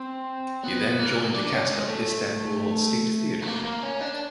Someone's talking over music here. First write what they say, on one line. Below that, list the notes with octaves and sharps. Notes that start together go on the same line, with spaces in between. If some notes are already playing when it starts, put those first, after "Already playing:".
He then joined the cast of Istanbul State Theatre.
Already playing: C4
B3
A#3
D4
C#4
G#3
A3
A3
A#3
A#3
C#4
D4